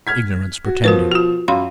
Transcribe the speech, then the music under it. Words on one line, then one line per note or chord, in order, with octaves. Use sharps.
Ignorance pretended.
F6 G#6 B6
F#4
B2 F3 F4 A#4 B4
F4 F#4
F#2 F5 B5 C6